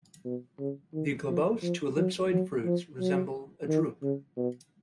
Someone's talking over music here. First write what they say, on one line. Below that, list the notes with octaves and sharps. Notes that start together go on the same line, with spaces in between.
The globose to ellipsoid fruits resemble a drupe.
B2
C#3
D#3
F3
F3
F#3
F#3
F3
F#3
D#3
C#3
B2